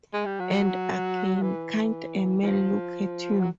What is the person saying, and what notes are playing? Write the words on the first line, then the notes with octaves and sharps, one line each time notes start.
And again, "Can't a man look at you?"
G#3
G3
F#3
E3
E3
F3
F#3